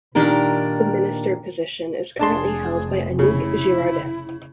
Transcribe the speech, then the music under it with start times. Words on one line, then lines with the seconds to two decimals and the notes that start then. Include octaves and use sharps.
The minister position is currently held by Annick Girardin.
0.15 A#2 D#3 D4 G4 A#4
2.19 F1 D4 G#4 A5 C6
3.19 C#3 E4